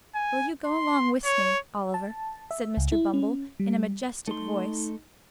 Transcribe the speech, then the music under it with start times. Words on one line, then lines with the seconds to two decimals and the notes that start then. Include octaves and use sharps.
'Will you go along with me, Oliver?' said Mr. Bumble, in a majestic voice.
0.15 G#5
0.65 C6
1.25 C#5
1.94 A5
2.51 E5
2.77 C#2
2.92 E4
3.14 C#4
3.60 G3
4.28 A3 D#4 C6